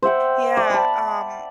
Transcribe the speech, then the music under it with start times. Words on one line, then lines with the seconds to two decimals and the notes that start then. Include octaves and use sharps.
Yeah, um,
0.02 C5 E5 F#5 G5
0.57 D5
0.70 A5 B5